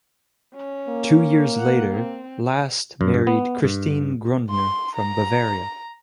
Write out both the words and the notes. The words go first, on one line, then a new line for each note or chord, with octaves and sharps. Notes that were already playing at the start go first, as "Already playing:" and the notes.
Two years later, Last married Christine Grundner from Bavaria.
C#4
A#3
F#5
C4
F#2
G2
B3
G2
C6
A#5